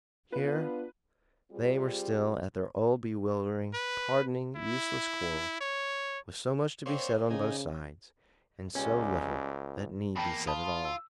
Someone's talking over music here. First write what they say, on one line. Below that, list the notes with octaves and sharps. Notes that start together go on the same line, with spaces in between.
Here they were still at their old bewildering, pardonable, useless quarrels, with so much to be said on both sides, and so little that need be said at all.
B3 D4 F4 B4
G3 C4 F4 G4 G#4
B4
E4
C#5
A#3 C4 D4 C5 C#5
C#3 D#4 G#5
C#2 G3 C#4
E2 A#3 G5 A5 B5
F4 A5 B5 D#6
E6